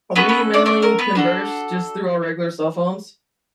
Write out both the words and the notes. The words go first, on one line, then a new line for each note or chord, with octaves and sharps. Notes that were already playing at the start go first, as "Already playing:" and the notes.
we mainly converse just through our regular cell phones.
B3 C#4 F#4 A4 B4
B3 B4
D4 D5
D4 D5
A#4
B3 B4
D4 F#4 A4